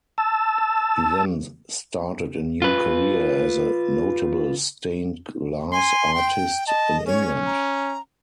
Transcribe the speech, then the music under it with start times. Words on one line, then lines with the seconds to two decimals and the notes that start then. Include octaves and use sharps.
He then started a new career as a notable stained glass artist in England.
0.18 A5 E6
2.62 F4 B4
5.72 G#5 C6
6.15 G5
6.68 D#5 A5
7.07 C#4 C#5
7.46 A#5